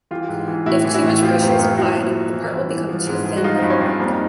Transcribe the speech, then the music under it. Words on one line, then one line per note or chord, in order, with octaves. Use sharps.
If too much pressure is applied, the part will become too thin and break.
E3 F4 G4
G#2
E3
A2 E4 F#4
E3
E4 F#4
A2
F3 F4 G4
F#2
F4 G4
F#2
F3 E4 F#4
A#2
F3
E3
G2
E3
F3
G#2
G#2
F#4
F3 D#4 F4
G2 C4
C#4
G2 C4 D4
F2 A#3 C4
D#4